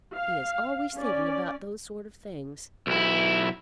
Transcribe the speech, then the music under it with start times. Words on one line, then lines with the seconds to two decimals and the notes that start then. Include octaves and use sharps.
He is always thinking about those sort of things.
0.15 F5
0.97 C#4 D5
2.87 B1 E4